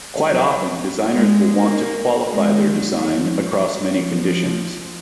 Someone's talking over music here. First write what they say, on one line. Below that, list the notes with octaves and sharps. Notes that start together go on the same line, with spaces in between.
Quite often, designers will want to qualify their design across many conditions.
F#3
G#3
A#3
G#3
F#3
F3
F#3
F3